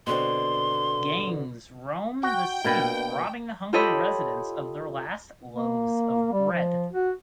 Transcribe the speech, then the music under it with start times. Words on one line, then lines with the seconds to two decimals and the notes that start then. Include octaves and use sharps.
Gangs roam the city robbing the hungry residents of their last loaves of bread.
0.07 B2 D3 C4 C6
2.23 F#4 G5
2.64 B2 A#3 D4 B4
3.73 F4 G4 A4 C#5 D#5 B5
5.54 A#3
6.33 G3
6.52 F3
6.92 F#4